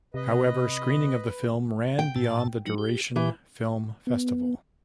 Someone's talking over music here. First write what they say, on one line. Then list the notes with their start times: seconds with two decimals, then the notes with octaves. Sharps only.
However screening of the film ran beyond the duration film festival.
0.14 C3 B4 D#5
1.99 G5
2.16 A2 A5
2.66 F#3 D#4
2.78 G4
3.16 E3 G4
4.07 B3